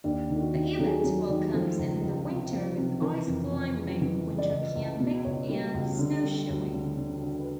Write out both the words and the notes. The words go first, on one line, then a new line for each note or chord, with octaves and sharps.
The event welcomes in the winter with ice climbing, winter camping and snow shoeing.
D#2 D4
D#3
G4
F#4
D#3
F#3 A4
G#4
G4
F#3 G#4
D#3
F3 A4
C#2
C#2
C3
F3
C3
E3 A#4
F2
F2
C#3
E3
C#3
D5
C#2 D#5
C#2
B2
C#2 C#5
G3
C#2
D3
G3
D2
D3
D3
D3
B4